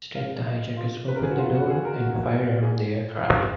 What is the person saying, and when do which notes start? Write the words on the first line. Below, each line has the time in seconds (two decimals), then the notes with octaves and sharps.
Instead, the hijackers opened the door and fired around the aircraft.
0.15 F5
0.46 D#5
0.77 F4
1.08 B4
1.16 A#4
1.23 G#4
1.31 F#4
1.39 F4
1.55 F#4
1.70 G#4
1.85 A#4
2.01 F#4
2.63 G#4
3.24 F5